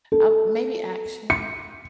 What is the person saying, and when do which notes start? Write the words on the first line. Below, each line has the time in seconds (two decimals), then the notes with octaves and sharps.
Uh, maybe action.
0.12 A4
1.30 C#7